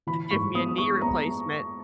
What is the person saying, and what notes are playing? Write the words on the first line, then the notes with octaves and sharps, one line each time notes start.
give me a knee replacement."
E3 B5
G#2 C#6
B3 D#6
G#3 C#6
B3 A#5